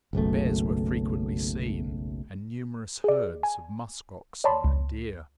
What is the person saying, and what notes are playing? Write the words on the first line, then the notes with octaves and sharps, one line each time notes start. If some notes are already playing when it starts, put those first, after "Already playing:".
Bears were frequently seen, and numerous herds of musk-oxen and deer.
F#1 B1 F#2 A3
G#4 D5
G#5
C#5 D5 A5 B5 C6
C#2